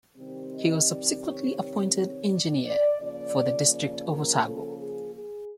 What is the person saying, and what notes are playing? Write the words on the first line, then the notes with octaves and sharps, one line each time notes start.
He was subsequently appointed engineer for the District of Otago.
C3 D#3 G3 C4
D#5
D5
C#5
C#5
C#5
D5
D5
C#3 F3 A#3 D5
D5
A#4
A4
G#4
G#4